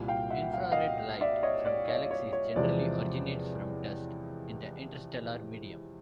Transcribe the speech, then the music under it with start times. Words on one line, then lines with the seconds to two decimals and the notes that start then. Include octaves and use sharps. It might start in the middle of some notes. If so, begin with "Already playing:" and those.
Infrared light from galaxies generally originates from dust in the interstellar medium.
Already playing: C2 A#2 G3
0.08 F5 G5
0.31 E5 F#5
0.54 F5
0.63 F#5
0.72 D#5 F5
1.21 D5 E5
1.43 C#5 D#5
1.66 D5
1.88 C#5 D#5
2.11 C#5
2.33 C#5
2.56 E2 C3 F3 G#3 D5